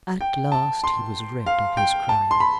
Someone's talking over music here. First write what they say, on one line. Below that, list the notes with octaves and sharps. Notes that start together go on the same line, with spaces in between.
At last he was rid of his crime.
G5
A5
C6
F5
G5
A5
C6
B5